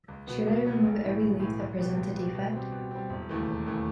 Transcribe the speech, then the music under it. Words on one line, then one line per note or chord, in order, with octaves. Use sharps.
Should I remove every leaf that presents a defect?
C#2
B2 F#3 B3
C#2
B2 F#3 B3
B1
A2 E3
B1
A2 E3
C#2
B2 G3
C#2
B2 G3
B2
G3 C4
B2
G3 C4
E1
D#2 C#3 E3 A3
E1
D#2 C#3 E3 A3